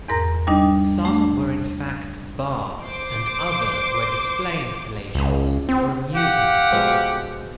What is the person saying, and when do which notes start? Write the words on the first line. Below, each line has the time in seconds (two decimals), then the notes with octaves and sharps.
Some were in fact bars and other were display installations for amusement purposes.
0.08 E2 G#2 A#4 A#5
0.47 G3 D4 D#4 D#5
1.05 A3 D4
2.82 C5 D6
5.15 C#2
5.69 C4
6.15 G4 F5 F#5
6.72 B2 F3 G#3